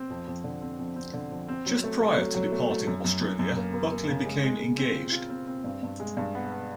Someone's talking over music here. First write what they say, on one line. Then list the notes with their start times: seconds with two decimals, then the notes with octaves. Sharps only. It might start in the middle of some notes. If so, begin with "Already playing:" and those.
Just prior to departing Australia, Buckley became engaged.
Already playing: C4
0.10 F2
0.28 F2
0.44 D3
0.62 C4
0.78 F2
0.96 C4
1.13 D3
1.32 F2
1.48 C4
1.66 F#3
1.84 A3
2.00 A3
2.17 F#3
2.35 F#3
2.52 A3
2.70 A3
2.87 F#2
3.05 F#2
3.21 F#2
3.39 F#2
3.57 A#3
3.74 A#3
3.92 A#3
4.09 C#3
4.25 G#3
4.44 G#3
4.60 G#3
4.78 C4
4.96 F4
5.12 F4
5.30 C4
5.47 C4
5.64 G2
5.83 G2
6.00 G#3
6.17 G2
6.35 B3
6.52 B3